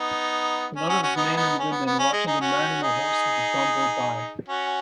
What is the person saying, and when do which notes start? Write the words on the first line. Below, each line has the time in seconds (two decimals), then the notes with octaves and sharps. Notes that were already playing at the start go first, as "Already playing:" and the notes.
A lot of men and women watching a man on a horse with a drum go by.
Already playing: B3 D#4
0.76 C#4
0.88 C#4 F#4
1.02 C#4 F#4
1.16 B3 D#4
1.37 B3 D#4
1.59 C#4
1.72 B3
1.86 B3
1.99 C#4
2.13 G#3
2.27 D#4 G#4
2.41 C#4 F#4
2.82 D#4 G#4
4.49 C#4 F#4